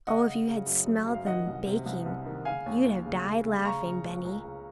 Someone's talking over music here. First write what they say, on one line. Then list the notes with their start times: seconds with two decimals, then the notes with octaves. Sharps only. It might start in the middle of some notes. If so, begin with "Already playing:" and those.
Oh, if you had smelled them baking you'd have died laughing, Benny.
0.07 C#3 D#5 F#5
0.27 C#3
0.47 C#3
0.66 F#2
0.86 F#2
1.06 F#2
1.14 F5
1.26 D#3 D#5 F#5
1.47 C2
1.66 C3
1.86 C2
2.06 C2
2.26 D#3
2.45 C#3 F5 G#5
2.66 D#2
2.85 D#2
3.06 C#3
3.25 C#3
3.45 C#3
3.65 C#3 A#5 C#6
3.85 C#3
4.04 C#2
4.25 C#2
4.44 C#3